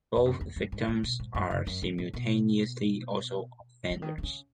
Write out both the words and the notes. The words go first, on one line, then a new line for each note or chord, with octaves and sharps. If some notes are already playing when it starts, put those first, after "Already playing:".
Both victims are simultaneously also offenders.
E2
F#2
E2
F#2
G#2
G#2
B2
G#2
F#2
F#2
F#2
G#2
A2
B2
C#3
D#3
D#3
C#3